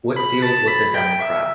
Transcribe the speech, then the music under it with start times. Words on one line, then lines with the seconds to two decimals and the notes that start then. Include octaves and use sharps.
Whitfield was a Democrat.
0.16 B5
0.42 A5
0.68 B5
0.94 G5
1.20 E5